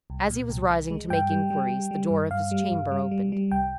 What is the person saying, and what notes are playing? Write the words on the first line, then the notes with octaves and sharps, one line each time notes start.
As he was rising to make inquiries, the door of his chamber opened.
C2
A#2
C2
C2
G#3
G2 G5
G3
G3
G3
G3
G2
G2 F5
G3
G2
G3
G3
G3
C2 G5